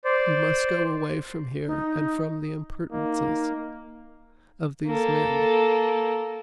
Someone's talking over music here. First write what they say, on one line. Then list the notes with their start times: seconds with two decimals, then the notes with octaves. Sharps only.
You must go away from here and from the impertinences of these men.
0.04 C5 D5
1.67 D#4
2.91 A#3 D#4
4.86 A#3 A4